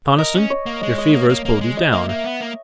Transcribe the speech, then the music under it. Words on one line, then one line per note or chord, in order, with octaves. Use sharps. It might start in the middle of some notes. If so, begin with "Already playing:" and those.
Conniston, your fever has pulled you down.
A#4 D#5
C#4
C#5
A#3
G#3 D#5
D#5
A#3
A#3
A#3
G#3
D#5
A#3 E5
A#3 D#5
B3
A#3